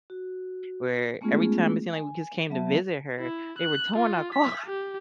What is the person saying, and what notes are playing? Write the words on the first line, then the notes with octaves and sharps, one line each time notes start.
where every time it seemed, like, we just came to visit her, they were towing our car.
F#4
G#3 A3 B3 C#4 F4 G#4
G#5
F#3 B3 E5 A5
E4
F#6
F4
B6
G4